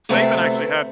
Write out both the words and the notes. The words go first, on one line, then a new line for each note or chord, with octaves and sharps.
Saban actually had
D2 C3 A3 B3 C4 E5